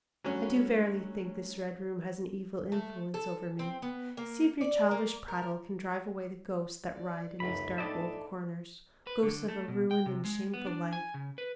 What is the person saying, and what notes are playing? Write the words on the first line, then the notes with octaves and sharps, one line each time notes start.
I do verily think this Red Room has an evil influence over me. See if your childish prattle can drive away the ghosts that riot in these dark old corners--ghosts of a ruined and shamed life!
F#3 G3 A3 C#4 D4
A3
A4
C4
B3
A#3
D5
A#3
A#4
D5
G1 C#2 F#2 A3 D#4 B5
A2 G#3 B3 D4 D#4 A4 D5 E5
B4
D3
A3
B2
G5
C3
G#3
B3
D4
G#5
C#3
B4